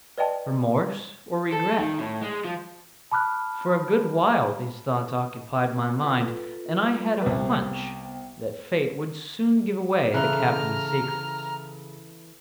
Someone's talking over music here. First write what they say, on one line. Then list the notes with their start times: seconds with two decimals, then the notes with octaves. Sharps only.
Remorse or regret? For a good while these thoughts occupied my mind, and I had a hunch that fate would soon give away the captain's secrets.
0.18 B4 D5 D#5 G5 A5
1.52 A4
1.78 D#3
1.99 A2
2.22 G#3
2.45 F3
3.11 A5 B5 D6 F6 F#6
6.01 F4 A4 B4
7.22 C2 B3 B4 G5
10.14 C#3 E3 A4 E5 A#5 F6 F#6